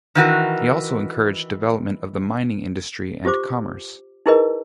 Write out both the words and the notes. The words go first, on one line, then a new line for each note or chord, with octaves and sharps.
He also encouraged the development of the mining industry and commerce.
D#3 E3 F#4 A#4
F4 G4 C5 D6
D#4 E4 G#4 A#4 B4 D#5